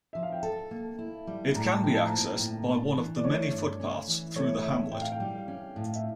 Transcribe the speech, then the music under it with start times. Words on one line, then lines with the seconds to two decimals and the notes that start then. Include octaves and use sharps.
It can be accessed by one of the many footpaths through the hamlet.
0.13 F3 E5
0.23 F5
0.32 G5
0.43 A4 A5
0.71 A#3
0.99 E4
1.27 G3
1.55 A2 A#5
1.68 A5
1.80 F3 G5
1.95 A5
2.06 A#5
2.12 A#3 A5
2.39 A2
2.68 D4
2.95 E3
3.16 D5
3.24 A3 C#5
3.52 G2
3.80 C#4
4.08 E3
4.36 A3 C#5
4.63 A2 E5
4.92 A2 G5
5.01 F5
5.12 G5
5.20 G3
5.48 C#4
5.76 A2
5.95 E5